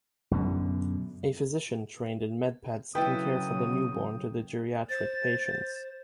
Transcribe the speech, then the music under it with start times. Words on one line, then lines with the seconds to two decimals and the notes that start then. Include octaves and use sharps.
A physician trained in Med-Peds can care for the newborn to the geriatric patients.
0.31 F#2 B2 D3
2.95 C#3 F#3 E4 A4 B4 G5 D#6
4.89 C5 A6